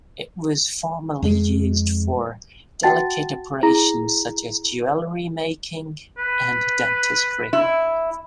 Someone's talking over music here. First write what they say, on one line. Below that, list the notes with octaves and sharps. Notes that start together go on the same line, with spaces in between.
It was formerly used for delicate operations such as jewellery making and dentistry.
F2 G#3
F#4 F#5 G5 A5 A6
E4 G#4 A#5 A#6
B4
E4